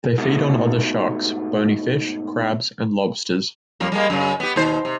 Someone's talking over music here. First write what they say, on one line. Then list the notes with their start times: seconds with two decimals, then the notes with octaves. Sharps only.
They feed on other sharks, bony fish, crabs, and lobsters.
0.18 G#2 B2 A3
3.80 F2 G3 A#3
3.92 G3 G#3 A#3
4.10 F#2 C#3
4.40 B3 G4
4.56 D#2 B2 C5
4.85 C3